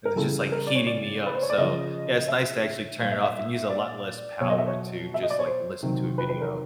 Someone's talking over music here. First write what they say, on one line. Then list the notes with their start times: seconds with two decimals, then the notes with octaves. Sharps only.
And it was just, like, heating me up. So, yeah, it's nice to actually turn it off, and use a lot less power to just, like, listen to a video.
0.05 A#4
0.16 C#3 E3 G3 A4
0.52 A#4
0.67 D5
0.75 C#5
0.87 D5
1.26 B4
1.34 C5
1.42 C#5
1.50 D5
1.58 C#3 F3 D#5
2.20 D#5
2.28 E5
3.00 A#2 G3 F5
3.11 E5
3.23 E5
3.70 D5
4.41 B2 F#3 C#5
4.50 D#5
4.58 E5
4.67 C#5
5.14 E5
5.23 D#5
5.30 D5
5.39 C#5
5.47 C5
5.83 C3 D#3 F#3
6.18 B4
6.29 B4
6.42 A#4